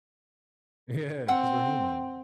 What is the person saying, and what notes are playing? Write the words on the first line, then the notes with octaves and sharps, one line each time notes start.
Yeah, 'cause we're human.
C4 F#5 C6 E6